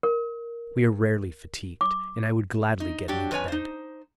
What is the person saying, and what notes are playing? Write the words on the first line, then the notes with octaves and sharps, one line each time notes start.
We are rarely fatigued, and I would gladly get me to bed.
A#4
D6
D#4
F#3 D4 G4
F2 B4 C#5 G#5
D#4 C5